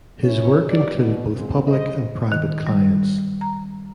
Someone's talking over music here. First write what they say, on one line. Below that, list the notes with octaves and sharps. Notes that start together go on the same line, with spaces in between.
His work included both public and private clients.
C#4 E4 C#5
D#4 G4 B4 D5
B2
G#2 C#3 G#3 A#3 C4
G2 C5 D#5
D#3
G3
A#5